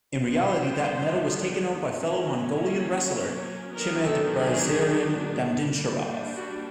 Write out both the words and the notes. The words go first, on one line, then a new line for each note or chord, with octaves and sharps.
In reality, that medal was taken home by fellow Mongolian wrestler Chimedbazaryn Damdinsharav.
D#3 G3 B3 D4 C5
F#3 A#3 C#4
D#3 F#3 B3 D4 A#4
A4
G#4
G3 A#3 D4
F#4